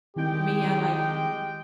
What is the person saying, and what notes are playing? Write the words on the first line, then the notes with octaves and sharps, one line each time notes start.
Me, I like
C2 D#3 G#3 G4 G5